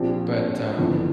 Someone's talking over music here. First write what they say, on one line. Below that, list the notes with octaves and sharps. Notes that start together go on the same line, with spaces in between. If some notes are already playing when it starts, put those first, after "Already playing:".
but, um
Already playing: A#1 A#2 F3 C4 G4
G1 F2 E3